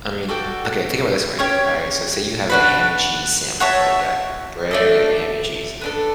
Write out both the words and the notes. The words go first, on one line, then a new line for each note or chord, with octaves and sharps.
I mean, okay, think about it this way, alright. So say you have a ham and cheese sandwich, right? You got your bread, you got your ham and your cheese.
F#4 A4 D5 G5
C#4 G4 C#5 G5
D4 F#4 B4
F#4 C#5 E5 A5
A3 D4 A4
B3 D4 A4